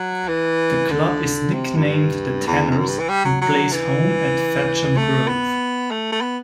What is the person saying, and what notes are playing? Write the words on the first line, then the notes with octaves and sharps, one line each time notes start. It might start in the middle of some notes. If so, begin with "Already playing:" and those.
The club is nicknamed "The Tanners" and plays home at Fetcham Grove.
Already playing: F#3
E3
D3
C3
F#2
G2
E2
E2
F#2
G2
E3
G3
F#3
F#3
E3
A3
B3
A3
A3
B3